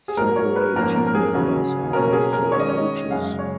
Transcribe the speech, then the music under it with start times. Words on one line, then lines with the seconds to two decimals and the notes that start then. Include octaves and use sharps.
Several team members are also coaches.
0.08 G#4
0.17 G#2 F#3 A#3 A#4
0.36 C#5
0.56 B4
0.75 G#2 F3 A#3 C#4 A#4
0.96 A#4
1.07 A#4
1.15 G#4
1.34 C#3 F#3 C#4
1.93 B2 F#3 A#3 C#4 A#4
2.13 G#4
2.33 A#4
2.51 D#3 G#3 C#4 C#5
2.59 D#5
2.69 C#5
3.10 F#2 C#3 G#3 F5
3.39 C#5